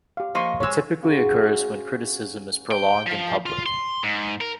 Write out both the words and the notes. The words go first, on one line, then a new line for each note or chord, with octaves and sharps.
It typically occurs when criticism is prolonged and public.
G4 F5
F3 A#3 C5 D#5 C6 C#6
C3 G#3 C#5 E6
C#3 F#4 C6
G5
F3
F4
C6
G#2
A#4